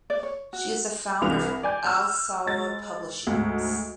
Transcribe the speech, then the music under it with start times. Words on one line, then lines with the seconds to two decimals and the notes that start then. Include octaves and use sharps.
She is the founder of Al Salwa Publishing House.
0.10 D5
0.23 C#5
0.53 F#4
1.22 C2 E3 D4 F7
1.63 D5 G#5 G6
1.85 E6 F6
2.46 G#3 A6
3.27 D2 G#2